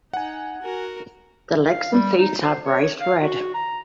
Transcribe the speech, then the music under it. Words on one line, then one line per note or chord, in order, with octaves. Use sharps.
The legs and feet are bright red.
D#4 F#5 G#5
F#4 A#4
F5
G3
D#4
C5
C#5
F5
F#4
A#5